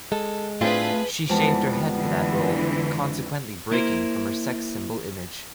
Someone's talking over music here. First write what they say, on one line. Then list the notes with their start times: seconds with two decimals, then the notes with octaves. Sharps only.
She shaved her head for that role, consequently breaking from her sex symbol image.
0.12 G#3 A4
0.61 A2 A3 C4 D4 F4 G#4 B4
1.29 F2 E3 G3 G#3 B3 A5
1.94 D3 E3
3.71 A#3 E4 A#4 C5